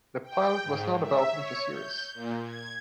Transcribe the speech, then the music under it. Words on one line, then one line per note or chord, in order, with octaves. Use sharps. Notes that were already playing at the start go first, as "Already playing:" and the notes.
The pilot was not developed into a series.
G5
G#2
E5
C#5
G6
A#2
G#6